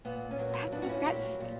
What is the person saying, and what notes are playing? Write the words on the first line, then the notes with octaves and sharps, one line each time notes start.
I'm like "That's
A#2 B3
C#4
F#3 A#3 B3
A#2 B3 D4
F#4
C#4 E4
F#3 A#3 E4 G4
A#2